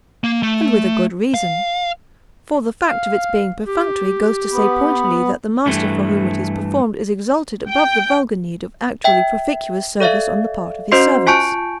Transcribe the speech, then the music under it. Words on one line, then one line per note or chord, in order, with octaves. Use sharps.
And with a good reason, for the fact of its being perfunctory goes to say pointedly that the master for whom it is performed is exalted above the vulgar need of actually proficuous service on the part of his servants.
A#3
A3
F5
F5
G4
B3
G2 E3 A3
G5
E5 G5
A4 D5 E5 F5
C#4 F#4 C5 D#5 C6 C7
F4 G#5 A5 C#6 G6 D7